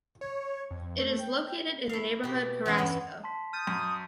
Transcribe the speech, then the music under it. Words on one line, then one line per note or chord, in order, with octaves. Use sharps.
It is located in the neighborhood Carrasco.
C#5
F2
A3
G5
E4 F5
B2 G4
E2 C#4 E4 E5
G2 B3 C#4
A5 C6 B6
D#6 F6 G6 A6
F#2